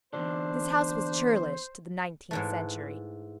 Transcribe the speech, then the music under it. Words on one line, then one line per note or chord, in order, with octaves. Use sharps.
This house was churlish to the nineteenth century.
E2 G#2 D3 D4 C5
G#2 E3 A3